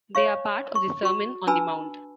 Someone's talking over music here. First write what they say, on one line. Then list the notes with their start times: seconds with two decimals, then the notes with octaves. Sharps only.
They are part of the Sermon on the Mount.
0.15 C#5 F5 C#6
0.75 C#6
1.03 F#4 C#6
1.47 D4 B4 G#5 A5 B5 E6